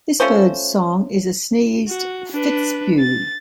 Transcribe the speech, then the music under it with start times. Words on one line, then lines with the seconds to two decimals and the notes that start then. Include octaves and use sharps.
This bird's song is a sneezed "fitz-bew".
0.20 A3 C#4 F4 C5
1.88 F#4
2.32 D4 B4
3.00 A6